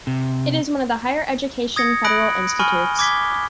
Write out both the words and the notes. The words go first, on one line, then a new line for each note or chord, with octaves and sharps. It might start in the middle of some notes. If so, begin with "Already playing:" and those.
It is one of the higher education federal institutes.
C3
D#6 G#6 A#6 C#7
B5 D#6 F#6 A#6 D7 F#7
G#5 B5 C#6 F6 G7
D6 G#6 B6 G7